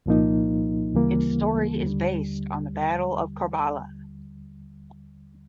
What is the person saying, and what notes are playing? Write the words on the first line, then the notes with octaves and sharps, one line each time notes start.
Its story is based on the Battle of Karbala.
C2 A#2 F3 A#3 D#4
D2 C#3 E3 G3 A#3
D#2 D3 G3